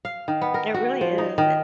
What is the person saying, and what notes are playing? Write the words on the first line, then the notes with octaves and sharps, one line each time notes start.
It really is, de
F5
D#3
B3
A#4
F#4
F3
D#4
D#3